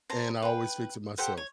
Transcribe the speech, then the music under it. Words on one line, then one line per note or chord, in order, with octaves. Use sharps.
and I always fix it myself.
C5 A5 A#5
B4 G5
G4 A4 C5 F#5
C#5